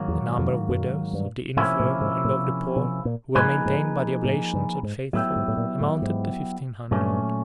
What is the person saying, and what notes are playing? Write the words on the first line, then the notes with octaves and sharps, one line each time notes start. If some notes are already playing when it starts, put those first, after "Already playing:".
The number of widows, of the infirm, and of the poor, who were maintained by the oblations of the faithful, amounted to fifteen hundred.
Already playing: G#2 D#3 F#3 A#3
E2
F2
F#2
G2
A2 C3 F3 A#3 C#4 E4
A2
G#2
A2
B2
A#2
G#2 F3 A#3 D#4 G#4 B4
G#2
A2
G2
G#2
A2 F#3 B3 E4 G4
G#2
A2
A#2
A2
G#2
G2 A#2 F#3 A3 C#4